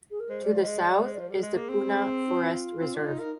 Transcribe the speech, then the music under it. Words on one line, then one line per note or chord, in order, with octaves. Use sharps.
To the south is the Puna Forest Reserve.
G#4
A#4
G#3 C5
G3 D5
F3
G#3 D#5
G#3 D5
G3
G#3 C5
D5
F3 C5
G3 G#4
G#3
A#3
C4
D#4
F4
C4
D4
D#4
D#4 A#4